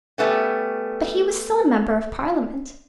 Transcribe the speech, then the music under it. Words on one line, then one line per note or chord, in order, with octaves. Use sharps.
But he was still a Member of Parliament.
G3 A3 B3 C#4